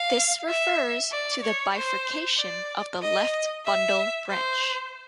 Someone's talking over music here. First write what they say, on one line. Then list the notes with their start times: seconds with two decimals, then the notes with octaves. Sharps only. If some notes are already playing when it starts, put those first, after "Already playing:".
This refers to the bifurcation of the left bundle branch.
Already playing: F5
0.48 E5
1.11 D5
1.43 C#5
1.75 C5
2.38 D5
3.02 D#5
3.65 E5
4.29 C5